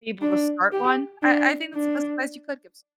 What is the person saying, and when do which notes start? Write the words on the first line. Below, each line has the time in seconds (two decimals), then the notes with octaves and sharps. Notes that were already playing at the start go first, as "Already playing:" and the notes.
be able to start one. I I think that's the best advice you could give someone.
0.21 D4
0.72 G4
1.23 D4
1.74 D4